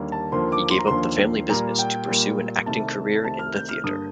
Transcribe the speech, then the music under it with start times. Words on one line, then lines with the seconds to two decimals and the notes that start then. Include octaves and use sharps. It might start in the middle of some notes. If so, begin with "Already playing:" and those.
He gave up the family business to pursue an acting career in the theater.
Already playing: D#2 D3 G3 A#3
0.12 A5
0.32 D#2 D3 F3 A#3 C6
0.52 D6
0.71 C6
0.79 A#5
0.87 D#2 D3 F3 A#3 C6
1.49 A#2 G3 A#3 A#5
1.79 G5
2.08 A#2 G3 A#3
2.66 C2 C3 D#3 A3 A5
3.24 C2 C3 D#3 A3 A5
3.39 F6
3.55 G6
3.69 F6
3.83 G2 D3 G3 A#3 D#6